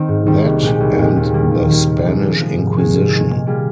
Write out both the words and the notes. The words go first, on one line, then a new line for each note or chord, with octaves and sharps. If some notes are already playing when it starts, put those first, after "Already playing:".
That and the Spanish Inquisition.
Already playing: D#3 C4 D#4
G#2
D#3 G3 C4 D#4
C2
A#2 G#3 D#4 G4
C2
A#2 G#3 D#4 G4
D#2
D#3 G3 A#3
D#2
D#3 G3 A#3
C3
F3 G#3 D#4
C3
F3 G#3 D#4
G#2
D#3 G#3 D#4 G#4
G#2
D#3 G#3 D#4 G#4
A#2
G3 A#3 F4 G#4